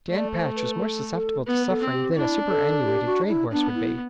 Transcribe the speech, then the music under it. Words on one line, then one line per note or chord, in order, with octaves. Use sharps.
Dan Patch was more susceptible to suffering than a superannuated dray horse would be.
A3 D5
C5
B4
B4
A4
A4
B3 B4
A4
C4
G4
D4 E4
A4
G4
F#4
E4
B3 D4
E4